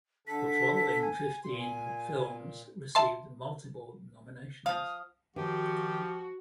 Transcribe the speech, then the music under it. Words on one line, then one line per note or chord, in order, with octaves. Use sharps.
The following fifteen films received multiple nominations.
D3 A4 B6
G#5
A#2 C6
G#5
E5 A5 C6
F3 F5 D#6
D#3 F3 F#4 G4